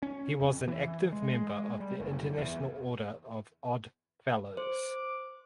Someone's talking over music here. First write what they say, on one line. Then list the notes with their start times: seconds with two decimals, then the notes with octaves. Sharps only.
He was an active member of the International Order of Odd Fellows.
0.02 C#4
0.41 F2
0.68 E3
1.13 G#3
1.34 G#3
1.80 G3
2.00 F#1
2.38 E2
4.57 C5 D6